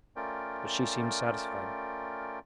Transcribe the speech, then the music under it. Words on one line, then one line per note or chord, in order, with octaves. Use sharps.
But she seemed satisfied.
A3 C#4 F4 A#4 D5 G5